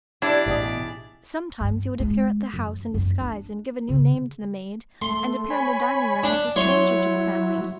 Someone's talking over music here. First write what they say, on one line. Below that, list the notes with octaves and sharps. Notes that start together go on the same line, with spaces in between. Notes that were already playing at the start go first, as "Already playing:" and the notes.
Sometimes he would appear at the house in disguise and give a new name to the maid and appear in the dining-room as a stranger to the family.
G3 D4 E4 D5
A1 B2 G4 G#4
G2
G#3
F#2
F#2
D4
C#3
A3 C6
C#5 G#5 B5
D4
F#3 E4 C#5 C6